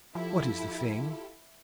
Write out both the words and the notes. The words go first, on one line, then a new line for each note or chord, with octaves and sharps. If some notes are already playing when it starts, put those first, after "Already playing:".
"What is the thing?"
F3 E4 F4 G4 A4